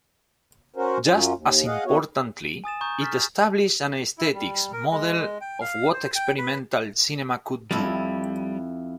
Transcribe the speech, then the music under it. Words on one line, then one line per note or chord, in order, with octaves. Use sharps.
Just as importantly, it established an aesthetic model of what experimental cinema could do.
C#4 F#4 A#4 C5
F#2 F#3 C#4 F4
D#2
G#4 D#5 F5 F#5
B3 C#4 E4 F#4 C#5
G#5 D#6 A6 E7
A#5 C#6 D#6 G6
C#6 F6 A6 B6
E4
G3
A#4
G#3
G#3
G5
F5
C5
G5
B4
F2 G3 E4